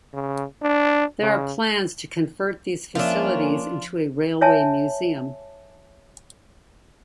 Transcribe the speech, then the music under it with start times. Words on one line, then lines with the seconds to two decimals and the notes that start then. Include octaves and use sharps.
There are plans to convert these facilities into a railway museum.
0.14 C#3
0.62 D4
1.21 C#3
2.95 F3 A#3 C#4 D4 F4 E5
4.41 C#5 E5 G#5 A5